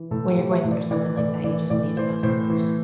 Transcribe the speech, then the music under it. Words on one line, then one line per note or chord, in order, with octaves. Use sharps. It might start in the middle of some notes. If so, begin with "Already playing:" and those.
when you're going through something like that, you just need to know someone's just
Already playing: E3
A2 A4
G4
E3
E5
A2
D5
E3 D5
A2 D5
E3 D5
A2 D5
E3 C5
A2 C5
E3